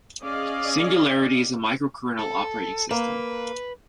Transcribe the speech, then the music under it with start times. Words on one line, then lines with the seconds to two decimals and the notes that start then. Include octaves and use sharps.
Singularity is a microkernel operating system.
0.24 C#4 G#4 D5 D#5 F5
2.19 A4
2.91 A#3 B4